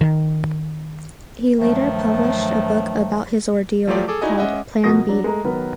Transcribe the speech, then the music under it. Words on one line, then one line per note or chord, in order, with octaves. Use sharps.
He later published a book about his ordeal, called Plan B.
D#3
G2 D#3 F3 F#3 A3
F3 F#3 A3 F4 G4 D5
G#4 A4 D6
D#4 E4 F#4 D5 D#5 G#5
G#3 C#4 D#5 E5 F#5
B2 F3 A#3 F#4 D#6 A#6
F#3 D4
G#3 A3 A#5
D#3 F#3 B3 A#4 B4